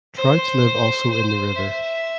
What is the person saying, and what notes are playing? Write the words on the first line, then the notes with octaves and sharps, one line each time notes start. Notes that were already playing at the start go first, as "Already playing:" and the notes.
Trouts live also in the river.
C5
C5
E5